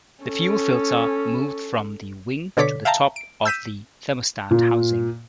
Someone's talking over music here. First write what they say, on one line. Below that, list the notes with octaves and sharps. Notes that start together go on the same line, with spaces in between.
The fuel filter moved from the wing to the top of the thermostat housing.
C#4 A4
B2 D3 A4 C#5 D6 B6
E5 F5 G5 A5 A#5
D7
E6 G6 B6 D#7 E7
A#2